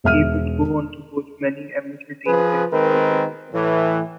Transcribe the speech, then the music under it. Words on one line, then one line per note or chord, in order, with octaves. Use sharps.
He would go on to coach many amateur teams in his local region.
E1 E5 F6 D#7
F3 G#4 B4
D#3 G#3 C4 A#4 B4
A2 E3